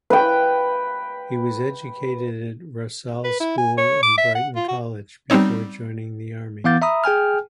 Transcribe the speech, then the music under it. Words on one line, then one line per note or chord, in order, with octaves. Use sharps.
He was educated at Rossall School and Brighton College before joining the army.
B4 G5
B4
E4
G#5
C#5
D6
E5
F#5
F4
F#4
G3 B3 C4 D#4 C#5
E3 B3 F5 D6 G6 A6
E5 A#5 B5 D#6
G#4 G5 G#5 F6